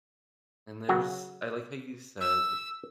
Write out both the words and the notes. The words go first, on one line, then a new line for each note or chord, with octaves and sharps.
And there's I like how you said,
C#3 F#3 F#4
E6